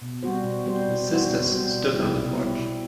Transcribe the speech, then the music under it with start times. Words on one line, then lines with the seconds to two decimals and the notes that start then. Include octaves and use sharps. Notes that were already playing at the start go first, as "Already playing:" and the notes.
The sisters stood on the porch.
0.02 B2
0.23 G3 C4 F#4 C5
0.44 B2
0.66 G3 C4 F#4 C5
0.88 B2
1.09 G3 C4 F#4 C5
1.30 B2
1.51 G3 C4 F#4 C5
1.73 B2
1.94 G3 C4 E4 G4
2.15 B2
2.37 G3 C4 E4 G4
2.59 B2